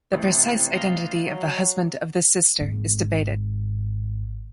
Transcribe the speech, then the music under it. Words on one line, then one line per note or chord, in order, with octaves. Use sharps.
The precise identity of the husband of this sister is debated.
A1 C3
D#5 F5
F#3
G#1 G#2